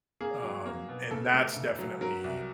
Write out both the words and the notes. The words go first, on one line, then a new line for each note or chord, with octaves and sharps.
Um, and that's definitely
A#3 G#4
F#3
A#3
B2
C#3 A4
A3
C#3
F#3
F#3 A#4
C2